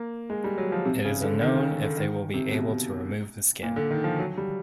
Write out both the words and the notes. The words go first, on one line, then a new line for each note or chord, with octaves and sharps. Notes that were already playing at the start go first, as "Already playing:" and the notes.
It is unknown if they will be able to remove the skin.
Already playing: A#3
G#3
G3
F#3
F3
C3
C#3
D3
D#3
C#3
D3
D#3
C3
B2
A#2
D3
D#3
F3
F#3
G3